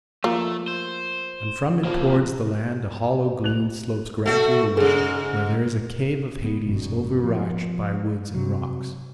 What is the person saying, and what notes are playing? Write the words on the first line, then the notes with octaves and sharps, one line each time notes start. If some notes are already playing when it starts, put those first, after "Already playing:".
And from it towards the land a hollow glen slopes gradually away, where there is a cave of Hades overarched by wood and rocks.
F3 A3 A#3
C5
A2 A#3 F4 C5
F#6 F7
A3 F#4 A4
G#2 C#3 G#4
B3
G#1 F#2 B2
F3
C3 F#3